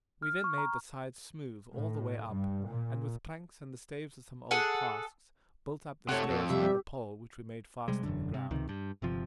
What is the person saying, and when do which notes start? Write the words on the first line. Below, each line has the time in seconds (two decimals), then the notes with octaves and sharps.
We then made the sides smooth all the way up, and with planks and the staves of some old casks, built up the stairs round a pole which we made fast in the ground.
0.22 F6
0.44 C#6
0.58 A#5
1.74 A2
2.30 G2
2.69 A#2
4.51 G#4 A4 F#5
6.09 C3 A3 F#4 A4 C#5
6.30 F2
6.50 C3 G3 G4 E5 E6
6.62 G3 C4
7.88 C3 G3 G#3
8.03 E1 B1 F#2 D3
8.34 C3
8.51 C#2 C3 D#3
8.69 G2
9.02 G1 C3 F3